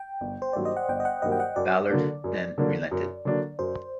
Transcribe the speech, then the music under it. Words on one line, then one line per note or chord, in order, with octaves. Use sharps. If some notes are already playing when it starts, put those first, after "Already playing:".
Ballard then relented.
Already playing: G5
G1
C5
G2 D#3 F#3 A#3 D5
D#5
F#5
G1 G5
D#5
F#5
G2 D#3 F#3 A#3 D#5
G5
F#5
F#2 D5
D3 F#3 A#3 D4
F#2
D3 F#3 A#3 D4
F#2
D3 F#3 A#3 D4
F#2 C5